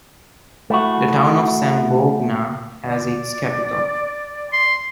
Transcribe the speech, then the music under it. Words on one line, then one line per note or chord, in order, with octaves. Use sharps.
The town of Zamboanga as its capital.
A3 E4 F#4
D5
C6